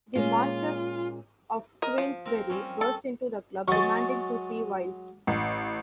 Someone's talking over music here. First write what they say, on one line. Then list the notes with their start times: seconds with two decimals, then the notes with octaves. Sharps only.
The Marquess of Queensberry burst into the club, demanding to see Wilde.
0.16 A#2 G#3 C#4 F4
1.82 A#4 D#5
1.98 F3
2.25 C4 A#4
2.50 G3 C4 C#4
2.81 A4
3.68 F#3 G#3 C#6 A6
5.27 A1